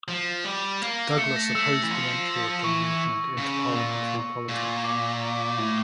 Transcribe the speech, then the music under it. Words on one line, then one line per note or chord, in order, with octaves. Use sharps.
Douglas opposed the entry of the movement into parliamentary politics.
F3
G3
A#3
A3 C#7
A#6
A3 E6
E6
E3
F3
E3 C#6
C#3
A#2
A#2
D6
A2